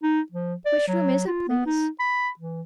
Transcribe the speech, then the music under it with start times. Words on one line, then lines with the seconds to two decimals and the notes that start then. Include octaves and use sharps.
"Which room is it, please?"
0.03 D#4
0.32 F3
0.66 D5
0.88 F#3
1.27 F4
1.48 B3
1.66 D#4
2.00 B5
2.39 E3